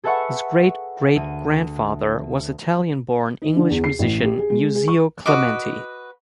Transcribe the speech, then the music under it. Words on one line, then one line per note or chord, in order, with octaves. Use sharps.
His great-great grandfather was Italian-born English musician Muzio Clementi.
G#4 A4 B4 E5 F#5 C#6
D2 D#7
D#4
D3
E2
C7
A1
G4
G#4
G#3
G#4
C#6
F#4 B4 D#5 D6